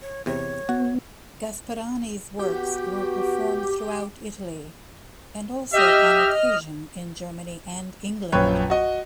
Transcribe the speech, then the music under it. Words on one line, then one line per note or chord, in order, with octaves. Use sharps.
Gasparini's works were performed throughout Italy, and also on occasion in Germany and England.
C#5
E2 C3 C#5
B3 F#4
B3 F#4 G4
G4 D#5 E5 F6
A#1 F#2 F4 B4 C#5 G5
F#4 D#5